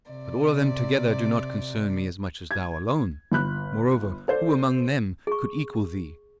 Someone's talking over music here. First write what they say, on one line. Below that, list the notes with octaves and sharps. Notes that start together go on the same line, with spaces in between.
But all of them together do not concern me as much as thou alone; moreover, who among them could equal thee?
C3 D5
G#6
G1 B5 F#6
A4 C5 D5
G#4 C#6